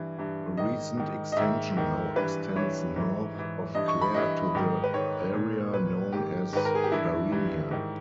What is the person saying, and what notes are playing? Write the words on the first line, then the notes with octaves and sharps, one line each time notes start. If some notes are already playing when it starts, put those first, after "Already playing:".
A recent extension now extends north of Clare to the area known as Barinia.
Already playing: G2 E3
G2 E3
G#2 D#3 D#5
G#2 D#3
D#5
G#2 D#3 E5
G#2 D#3
G2 E3 B4
G2 E3 C#5
G#2 E3
G#2 E3
G2 E3 D#5
C#6
B5
G2 E3 D#5
G#2 D#3
B4
G#2 D#3 C#5
A#2
A#2 B4
G#2 D#3 G4
G#2 D#3 B4
A#4
G#4
G4
G2 E3 E4
G2 E3
G#2 D#3